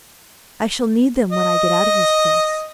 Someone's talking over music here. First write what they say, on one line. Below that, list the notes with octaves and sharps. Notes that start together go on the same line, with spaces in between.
I shall need them when I get out of this place.
D#5